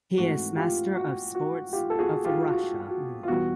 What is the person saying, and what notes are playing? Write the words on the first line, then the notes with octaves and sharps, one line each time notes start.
He is Master of Sports of Russia.
G#2 E3 A3 C4 F#4
F4 G4
F#4
F#4
F4 G4
A4
F#4 G#4
F4 G4
F#4
F#4
F4
E2 B2 G3 B3 E4 F#4